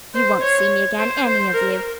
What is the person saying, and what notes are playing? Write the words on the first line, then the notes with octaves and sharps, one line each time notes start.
You won't see me again, any of you.
C5
C#5
C5
C5
A#4